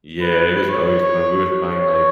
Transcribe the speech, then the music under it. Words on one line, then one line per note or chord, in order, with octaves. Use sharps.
Yeah, it was always fun. We would find, like,
B4
C#5
C#5